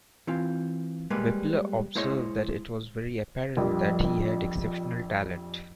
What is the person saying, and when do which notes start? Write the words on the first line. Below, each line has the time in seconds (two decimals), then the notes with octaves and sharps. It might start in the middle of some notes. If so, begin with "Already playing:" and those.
Wippler observed that It was very apparent that he had exceptional talent.
0.27 E3 C4 F4
1.10 G3 G#3 A#3 B4
1.95 G#3 E4 G#4 C5 C#5 D#5
3.57 A#1 F2 G3